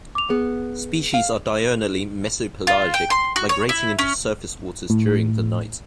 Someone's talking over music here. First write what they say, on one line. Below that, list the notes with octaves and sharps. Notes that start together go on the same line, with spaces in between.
Species are diurnally mesopelagic, migrating into surface waters during the night.
D6 F7
B3 G#4
F5
F4
G5
C6
F#4
C#5
E4
C#4
A2